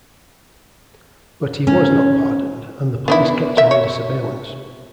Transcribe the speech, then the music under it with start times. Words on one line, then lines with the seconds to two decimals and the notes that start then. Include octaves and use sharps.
But he was not pardoned, and the police kept him under surveillance.
1.67 C#4
3.08 B3 D4 E4
3.57 A#4 E5
3.71 C#5